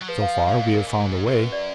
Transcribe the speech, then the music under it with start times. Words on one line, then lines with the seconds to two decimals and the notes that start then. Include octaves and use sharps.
So far we have found a way.
0.02 F#3
0.08 F3 B4
0.21 F5
0.34 F5
0.48 F3 F5
0.58 G#2 D#5
0.67 B2
0.74 A#2 A#4
0.87 G#2
1.27 F#2 A#4
1.39 B4
1.52 D5